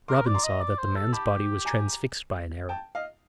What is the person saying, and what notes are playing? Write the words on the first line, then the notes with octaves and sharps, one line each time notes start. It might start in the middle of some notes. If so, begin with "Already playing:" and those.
Robin saw that the man's body was transfixed by an arrow.
A#4 C6 D6
D5
A#5 C6
D#5
D5
C5
A4
G4 A5 B5
G#5 A#5
G5 A5
D#5 F5